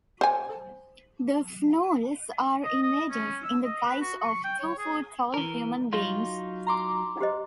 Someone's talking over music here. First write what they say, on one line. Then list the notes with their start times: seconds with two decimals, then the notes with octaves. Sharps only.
The Fnools are invaders in the guise of two-foot-tall human beings.
0.21 C5 G#5
2.64 D#5
2.82 D#5
3.10 C#4
3.44 E6
3.64 D#5
3.85 B4
4.01 F#4
4.21 C#6
4.44 G5
4.59 C#5
4.78 G#4
5.34 E3 A#4
5.93 F#3 D#4 F4
6.67 A#5 C6 D6
7.21 G4 C5 D#5